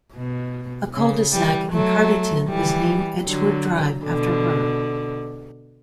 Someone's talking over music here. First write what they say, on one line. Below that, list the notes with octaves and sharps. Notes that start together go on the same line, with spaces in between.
A cul-de-sac in Carterton is named "Edgeworth Drive" after her.
B2
C#3
E3 G3
F#3 A3
E3 G3
D3 F#3
B2 D3